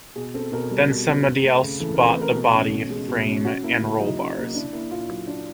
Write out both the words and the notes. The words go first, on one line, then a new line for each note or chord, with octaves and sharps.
Then somebody else bought the body, frame and roll bars.
B2 G#4
C4 A4
B2 A#4
G3
B2
C4
C4
A3
C#3
E3 A4
A#4
C4
B4
A3 A#4
B2
C#4
B2
G#3
B2
C#4
C#4 F#4
A#3 E4
C#3 E4
F#3 D#4
C#4
A#3
D4 E4
A#3 E4
A#2 F4
F#3
D4